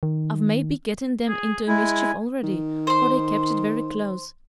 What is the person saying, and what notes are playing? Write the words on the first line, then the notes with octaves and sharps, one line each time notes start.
I've maybe getten them into mischief already, for they kept it very close.
D#3
G#4
G#3 E4 G#5
D#3
C5 C6